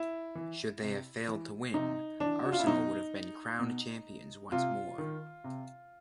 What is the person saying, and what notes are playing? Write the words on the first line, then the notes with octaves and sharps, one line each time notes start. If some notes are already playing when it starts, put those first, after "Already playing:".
Should they have failed to win, Arsenal would have been crowned champions once more.
Already playing: E4
E3
C3
E3
C3 D#4
E3 D4
F#4
F4
E4
B2 D#4
B2
C3 F4
D#3
C3